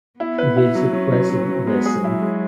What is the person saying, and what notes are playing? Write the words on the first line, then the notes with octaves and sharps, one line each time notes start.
It is a pleasant listen.
B3 E4
B4
E4
F#3
F#3 C#4
F#3
F#3
F#3
G#3 B3
G#4
F#3 E4
G#3